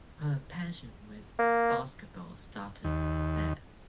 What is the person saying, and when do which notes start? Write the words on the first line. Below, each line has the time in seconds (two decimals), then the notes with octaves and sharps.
Her passion with basketball started there.
1.39 A#3
2.84 D#2